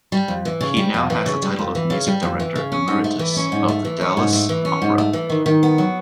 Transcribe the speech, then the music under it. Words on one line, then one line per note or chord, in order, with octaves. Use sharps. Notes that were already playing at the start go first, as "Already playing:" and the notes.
He now has the title of Music Director Emeritus of the Dallas Opera.
G3
F2
E3
C#3
G3
F2
E3
C#3
G3
F2
E3
C#3
G3
F2
E3
C#3
C#4
G#2
A3
E3
C#4
G#2
A3
E3
C#4
G#2
A3
E3
C#4
G#2
A3
E3
D#3
D#3
B3
F#3